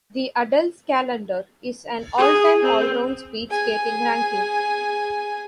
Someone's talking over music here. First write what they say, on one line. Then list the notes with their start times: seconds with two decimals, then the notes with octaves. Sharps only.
The Adelskalender is an all-time allround speed skating ranking.
2.17 G#4
2.62 C4
3.50 G#4 G#5